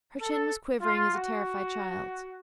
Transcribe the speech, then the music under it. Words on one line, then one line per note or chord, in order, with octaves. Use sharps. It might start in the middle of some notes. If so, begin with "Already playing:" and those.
Her chin was quivering as a terrified child's.
A4
F4
F#4